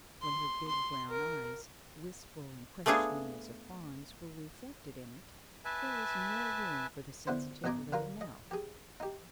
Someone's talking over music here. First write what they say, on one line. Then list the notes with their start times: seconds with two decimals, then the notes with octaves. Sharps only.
When her big brown eyes, wistful and questioning as a fawn's, were reflected in it, there was no room for the sensitive little mouth.
0.22 C6
0.68 C6
1.10 A#4
2.86 A3 B3 D4 F4 G#4
5.65 B4 E5 G#5 A5
7.27 D3 B3 E4 C5
7.64 A1 B2 D#5 G#5 A#5 D6
7.92 D3 F4 A#4
8.21 D#5
8.51 G4 G#4
9.00 D#4 G4